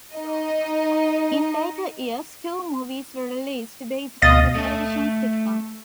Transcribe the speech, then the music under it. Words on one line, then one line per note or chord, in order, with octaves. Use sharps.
In later years two movies were released based on the television sitcom.
D#4 D#5
D2 B2 D#5 F5 D#6 A6
A3 A4